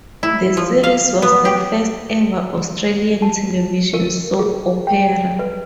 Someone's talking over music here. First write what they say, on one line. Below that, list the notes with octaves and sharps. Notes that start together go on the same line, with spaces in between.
The series was the first ever Australian television soap opera.
E4
F3
F5
B3
G4
A5
A#4
G#4
G5
B4